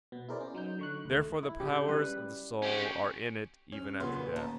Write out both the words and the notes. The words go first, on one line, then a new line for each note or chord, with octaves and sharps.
Therefore the powers of the soul are in it even after death.
B2 B3
E4 G#4 A#4 C5 D5
C#4
F#3 D#4 G6
D3 C#6 F#6
D2 A3
E4
C#3 G4
G3 B4
C#4 G4
C#4
A#2 C#3 B3 C6
D#2 A5